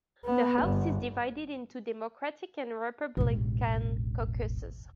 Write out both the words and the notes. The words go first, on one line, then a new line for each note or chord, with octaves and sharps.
The House is divided into Democratic and Republican caucuses.
B3
G1
E1 A1